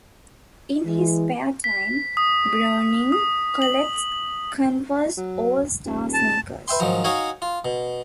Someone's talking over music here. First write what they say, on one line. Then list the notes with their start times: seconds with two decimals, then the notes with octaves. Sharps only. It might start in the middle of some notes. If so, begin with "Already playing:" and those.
In his spare time, Bruening collects Converse All-Star sneakers.
0.85 E3 G#3
1.64 B6
2.17 D#6
3.12 D#6
3.62 F#7
5.17 F#3
5.85 D#1
6.14 A5
6.68 B4 E5 G5 C6
6.80 G#2 D#3 F3 F#3
7.04 D#4 F#4 C#5 F5 F#5 G#5
7.42 F4
7.65 B2